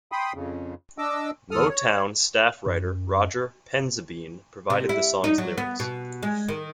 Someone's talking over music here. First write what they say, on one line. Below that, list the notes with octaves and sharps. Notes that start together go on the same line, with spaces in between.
Motown staff writer Roger Penzabene provided the song's lyrics.
G5 B5 C6 D#6
F2 C#3
D4 D#5 D6 E6
E2 A4 D#6 F6
C#5
F#2
C3
E4
D#4
F#3
B3
B2
G#3
D#3